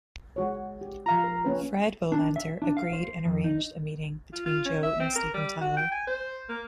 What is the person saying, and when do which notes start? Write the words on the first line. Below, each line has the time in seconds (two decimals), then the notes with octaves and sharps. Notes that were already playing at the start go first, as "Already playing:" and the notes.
Fred Bohlander agreed and arranged a meeting between Joe and Steven Tyler.
0.36 G#3 F#4 C#5
0.81 G4
1.06 F3 F4 F5 A#5
1.24 A#4
1.45 A#3 C#4 B4
2.12 D4
2.36 E5
2.62 D4
2.77 F5
2.93 C5
3.25 F2
3.44 D#4
4.33 F4
4.46 F4
4.65 C#4
4.83 E5
5.00 C4
5.16 A#4
5.34 G3
5.62 F#4
5.77 G5
5.92 G#5
6.07 C5
6.49 A#3